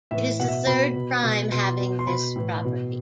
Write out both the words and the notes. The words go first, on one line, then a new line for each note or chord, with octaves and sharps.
It is the third prime having this property.
A2 E3 E5
B2 F#5
E5
B2 B5
B2
B2
B2 C6
B2
C6
B2 B5
A2 E3
B2